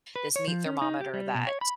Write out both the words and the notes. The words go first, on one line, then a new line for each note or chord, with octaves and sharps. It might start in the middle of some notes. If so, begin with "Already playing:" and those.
this meat thermometer that
B4
C#5
F3
C#4
D#4
G4
G3
B2
C#5
B5